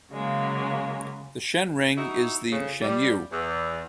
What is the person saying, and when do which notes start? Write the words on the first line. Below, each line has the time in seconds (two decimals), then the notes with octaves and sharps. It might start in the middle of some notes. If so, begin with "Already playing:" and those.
The Shen ring is the 'shenu'.
0.13 C#3 F#3 G#3 A#3
1.97 D#4 E4 F#4
2.51 F2 C#3
2.82 G3
3.32 E2